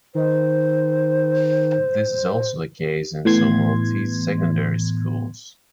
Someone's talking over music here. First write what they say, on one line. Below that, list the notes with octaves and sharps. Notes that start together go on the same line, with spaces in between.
This is also the case in some Maltese secondary schools.
D#3 C5
A2 E3 B3 C6 G#6